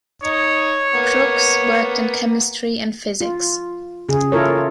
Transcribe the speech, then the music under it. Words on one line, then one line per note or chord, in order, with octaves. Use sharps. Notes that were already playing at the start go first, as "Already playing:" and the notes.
Crookes worked in chemistry and physics.
D#4 C#5 D#6
A#3 B3
F4
C#3 G#4
E4 F4 A4 A#4 C#5